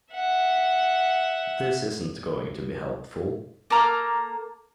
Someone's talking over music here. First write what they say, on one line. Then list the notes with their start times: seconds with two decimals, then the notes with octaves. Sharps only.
This isn't going to be helpful.
0.13 E5 F#5
3.70 A#3 A4 A#5 F6